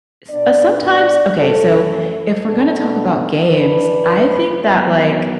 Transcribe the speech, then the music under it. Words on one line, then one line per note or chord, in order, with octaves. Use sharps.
s uh, sometimes Okay, so if we're gonna talk about games, I think that, like,
B2 B3 D4 D5
D5
F#2 E3 A3 A4
A4
B2 B3 D4 A4
F#2 E3 D4 B4
F#2 F#3 B3